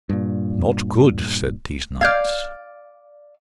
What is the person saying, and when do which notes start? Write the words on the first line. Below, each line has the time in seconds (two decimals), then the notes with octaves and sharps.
Not good, said these knights.
0.09 G2 A#2
2.01 D5 F5 F6 G6 G#6